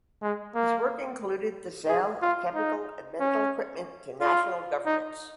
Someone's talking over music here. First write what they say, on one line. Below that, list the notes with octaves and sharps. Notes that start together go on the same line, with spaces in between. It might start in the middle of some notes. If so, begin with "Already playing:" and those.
His work included the sale of chemical and medical equipment to national governments.
G#3
A#3
G#4
F4
D#4
C#4
F4
D#4